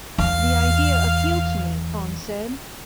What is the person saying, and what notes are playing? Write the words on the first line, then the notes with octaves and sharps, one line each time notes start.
"The idea appealed to me", Fong said.
E2 F5